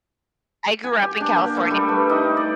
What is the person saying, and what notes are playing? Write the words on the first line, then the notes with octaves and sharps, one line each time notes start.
I grew up in California.
G#5
G4
D4
A#3
A3
G3
B4
D#4
D5